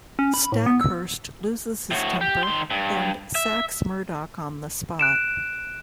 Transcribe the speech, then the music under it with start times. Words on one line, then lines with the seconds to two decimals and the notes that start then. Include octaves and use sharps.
Stackhurst loses his temper and sacks Murdoch on the spot.
0.19 C#4
0.34 B5
0.52 A2
0.66 B3
0.81 E6
1.91 A2 F#4
2.21 G4
2.43 D#3 C6
2.71 G2
3.35 E5
4.99 F#6 D7 E7